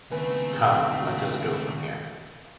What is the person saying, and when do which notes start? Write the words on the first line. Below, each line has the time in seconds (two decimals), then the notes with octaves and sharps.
Come, let us go from here!
0.11 C#2 D#3 A3 B3 C4 B4 G#5